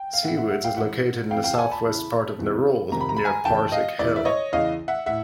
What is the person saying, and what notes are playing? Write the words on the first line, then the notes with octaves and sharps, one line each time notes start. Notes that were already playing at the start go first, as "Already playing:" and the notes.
Seawoods is located in the south west part of Nerul, near Parsik Hill.
Already playing: G5
F5
A2 E3 E5 F#5
E5 F#5
E5 F#5
F5 G5
G#2 E3 E5 F#5
F2 C#3 E3 F5 G5
F5 G5
A5
F#5 G#5
A5 B5
E2 C#3 E3
E2 C3 E3
F2 C3 D#3 A#5
B5
A#5
B5
G#5 A#5
E2 C#3 E3 G5 A5
D#5 F5
E2 C#3 E3 D5 E5
E5
C#5 D#5
E2 C#3 E3 D#5 F5
E5 F#5
A2 E5 F#5